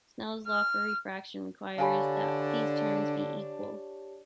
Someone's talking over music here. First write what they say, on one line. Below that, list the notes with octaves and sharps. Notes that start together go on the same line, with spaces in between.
Snell's law for refraction requires that these terms be equal.
F6
D3 D4 G4 C#5 F5 G#5 A5 B5